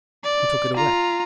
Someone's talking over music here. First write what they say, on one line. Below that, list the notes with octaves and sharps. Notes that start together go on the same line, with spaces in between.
"Who took it away?"
D5
F4 A#5